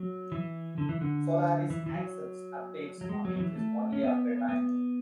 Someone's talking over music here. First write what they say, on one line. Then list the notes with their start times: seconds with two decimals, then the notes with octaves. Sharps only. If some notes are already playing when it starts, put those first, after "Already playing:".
Solaris accepts updates on entries only after a timeout.
Already playing: F#3
0.32 E3
0.78 D3
0.89 E3
1.01 D3
1.70 E3
1.86 E3
1.94 F#3
3.01 F#3
3.09 G#3
3.25 F#3
3.36 F#3
3.40 E3
3.55 A3
3.93 C#4
4.03 B3
4.49 B3